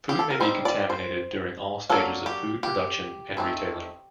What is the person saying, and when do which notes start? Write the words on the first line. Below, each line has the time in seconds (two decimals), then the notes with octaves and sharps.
Food may be contaminated during all stages of food production and retailing.
0.09 G4
0.19 A4
0.30 A#4
0.40 G3 C4 D#4 C5
0.65 D5
0.90 C5
1.89 F#3 A#3 D4 A4
2.26 G4
2.63 G4
3.37 A3 C4 D#4